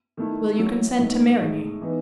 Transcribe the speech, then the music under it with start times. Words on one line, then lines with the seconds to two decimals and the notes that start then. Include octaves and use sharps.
"Will you consent to marry me?"
0.17 D#3 A3 E4
0.58 F#3 C#4 E4
0.99 A2 F#3 B3 D#4
1.40 A2 G#3 D#4
1.81 E3 B3 D#4